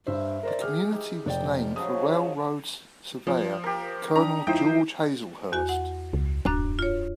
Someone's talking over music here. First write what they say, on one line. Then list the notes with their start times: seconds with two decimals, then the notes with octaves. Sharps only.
The community was named for railroad surveyor Colonel George Hazlehurst.
0.07 G2 C5 E5
0.43 A#4 C5 D5
0.61 G4 G#4 F6
0.92 D#4 G4
1.26 F1 D5 G5
1.76 C#3 F3 F#3 D#6
3.27 F3
3.64 G4 A#4
4.16 D4 A#5 D#6
4.47 F3 D#4 E4 C5 D#5 G5
5.52 E2 F#4 G#5
5.69 F#5
6.13 C#2
6.46 D1 F#2 D4 F#6
6.79 F4 C#5